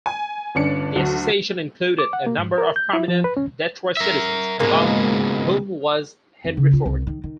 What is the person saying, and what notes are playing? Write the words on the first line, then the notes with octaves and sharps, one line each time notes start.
The Association included a number of prominent Detroit citizens, among whom was Henry Ford.
G#5
G1 C#4 D4 C#7
D2 F#3
D6
F#5
A#3
G#2
A#4
G6
E4
F3
B4
C#4
A#4 E5
C#2 G#2 B2 G#3 A#3
F2
C#3
F4
C2
D#3
D#3